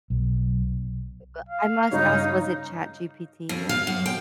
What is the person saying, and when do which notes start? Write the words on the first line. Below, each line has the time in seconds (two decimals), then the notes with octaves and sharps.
B but I must ask, was it Chat GPT you asked?
0.10 B1
1.49 F5
1.91 G2 C#3 D#4 C#5
3.49 F2
3.69 F5
3.87 F#2
4.06 G5